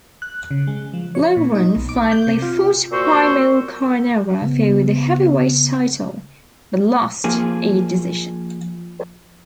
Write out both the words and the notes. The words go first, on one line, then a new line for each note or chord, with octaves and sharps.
Loughran finally fought Primo Carnera for the heavyweight title but lost a decision.
F#6
C#3
G#3
F3
C#5
A#2
D#4
B1
D6
G6
C3
F4
A#2 F#4 C5 C#6 E6
C#3 B3
F3 A#3 G#4